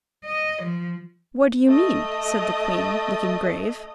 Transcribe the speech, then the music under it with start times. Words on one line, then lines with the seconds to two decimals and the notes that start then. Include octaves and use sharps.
"What do you mean?" said the queen, looking grave.
0.25 D#5
0.62 F3
1.67 A3 D#5